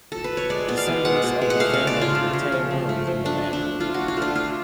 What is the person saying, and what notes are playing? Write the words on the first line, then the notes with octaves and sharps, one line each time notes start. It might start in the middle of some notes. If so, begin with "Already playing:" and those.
Descendants of the family retain rooms in the manor.
A4
B4
C#5
G#3 D5
B3 D5
F5
B2
G#3 F#5
B2
G#3
F#5
A3 F5
C#3 F5
D5
A3 F4
C#3
C#3
F3
A3
A3
F3
A3 D4
A3
D4
A3
A3 F4
A3 F#4
F4
A3
D4
A3 F4